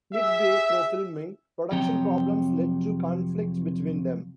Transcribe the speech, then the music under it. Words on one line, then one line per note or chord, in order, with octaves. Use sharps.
Mid-way through filming, production problems led to conflict between them.
G#4 E5
F2 C3 F#3 C#5 G5 A#5